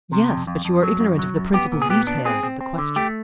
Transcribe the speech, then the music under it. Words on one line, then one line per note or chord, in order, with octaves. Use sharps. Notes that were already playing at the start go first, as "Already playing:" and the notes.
"Yes, but you are ignorant of the principal details of the question."
C3
F2
F2
F2
F#3
F#2
F#3
F#2
B3 G4
A#2
G#4
B3 G4
D4
C4 G#4
C4
C4
D3
A3 G4